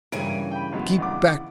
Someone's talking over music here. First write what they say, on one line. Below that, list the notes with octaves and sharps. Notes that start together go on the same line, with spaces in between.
'Keep back!
G2 C#3 E3 A#3 G#5 D7
G5 B5
B2 F#3 G#3
A#1 F#5 D6